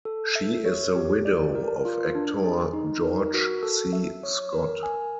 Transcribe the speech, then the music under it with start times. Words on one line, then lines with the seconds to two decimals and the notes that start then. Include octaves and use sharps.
She is the widow of actor George C. Scott.
0.05 A4
0.35 E5
0.65 C#5
0.96 G4
1.25 D5
1.55 A#4
1.85 F4
2.15 D4
2.44 G#4
2.73 D#4
3.04 A#4
3.34 F#4
3.63 A4
3.93 E5
4.23 C#5
4.52 A#4
4.83 G#5